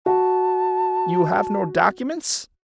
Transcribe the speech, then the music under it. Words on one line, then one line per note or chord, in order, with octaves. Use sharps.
"You have no documents?"
F#4 A5